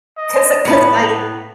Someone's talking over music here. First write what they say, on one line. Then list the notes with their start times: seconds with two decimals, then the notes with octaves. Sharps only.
'Cause I 'cause I,
0.17 D#5
0.65 A2 B3 B4 A5